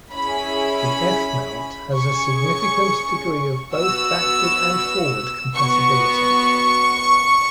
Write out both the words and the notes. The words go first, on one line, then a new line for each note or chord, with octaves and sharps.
The F-mount has a significant degree of both backward and forward compatibility.
C#4 E4 G#4 B5
C#4 G#4 C#6
B3 F#4 E6
B3 F#4 C#6